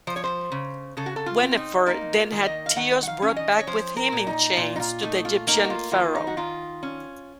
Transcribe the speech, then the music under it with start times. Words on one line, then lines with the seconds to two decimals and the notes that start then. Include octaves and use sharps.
Wennefer then had Teos brought back with him in chains to the Egyptian pharaoh.
0.07 F3 C5
0.16 C#5
0.24 C5
0.52 C#3
0.97 C#3 A4
1.06 F#4
1.16 A4
1.26 F4
1.42 C4
1.51 F4
1.57 D#4
1.86 A#3 D#4
2.16 F4
2.32 D#3
2.46 D#5
2.66 F5
2.76 D#3 F#5
3.03 F#5
3.08 F5
3.22 C#4
3.36 D#5
3.59 C#5
3.67 F3 C5
3.97 A#4
4.12 A#2
4.27 D#4
4.57 A#2 F4
4.76 D#4
4.80 F4
5.02 A3 D#4
5.25 F4
5.47 A#3 D#4
5.64 F#4
5.70 F4
5.92 D#3 F4
6.15 D#4
6.27 F#4
6.37 D#3 F4
6.83 C#4